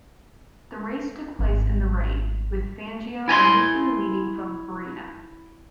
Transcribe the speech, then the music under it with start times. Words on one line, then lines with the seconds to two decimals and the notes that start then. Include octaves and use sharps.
The race took place in the rain, with Fangio initially leading from Farina.
1.39 G#1 C#4
3.28 E4 G#5 A#5 C6